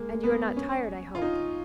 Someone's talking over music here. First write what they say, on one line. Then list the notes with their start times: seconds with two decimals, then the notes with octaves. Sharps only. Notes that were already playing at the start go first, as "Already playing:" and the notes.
"And you're not tired, I hope."
Already playing: G#3 A#3
0.24 B3
0.57 C#4
1.15 F4
1.22 D#4